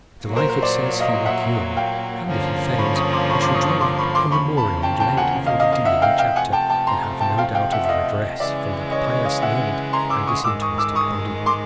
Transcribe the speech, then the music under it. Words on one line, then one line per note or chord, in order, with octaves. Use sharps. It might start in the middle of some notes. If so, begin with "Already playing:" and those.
Mr. Lyford says he will cure me, and if he fails, I shall draw up a memorial and lay it before the Dean and Chapter, and have no doubt of redress from that pious, learned, and disinterested body.
A#2 F#3 A#3
A#4 C5
A#4 C5
C5 D5
D#5 F5
E5 F#5
F5 G5
G2 D3 F3 A#3 C#4
B5 C#6
C#6 D#6
C6 D6
B5 C#6
C6 D6
C#6 D#6
C#6 D#6
C6 D6
B5 C#6
C6 D6
E2 C#3 F3 A#3 B5 C#6
A5 B5
G5 A5
G5 A5
F#5 G#5
D#5 F5
D#5 F5
D#5 F5
E5 F#5
F5 G5
F5 G5
C3 F3 A3 F#5 G#5
G5 A5
G5 A5
A#5 C6
G5 A5
F5 G5
F5 G5
E5 F#5
E5
D#5 F5
C#3 E3 G#3 D5 E5
C#5 D#5
C#5 D#5
D#5 F5
E5 F#5
A#5 C6
D6 E6
C#6 D#6
G#2 D#3 G#3 D6 E6
C#6 D#6
D6 E6
C#6 D#6
C6 D6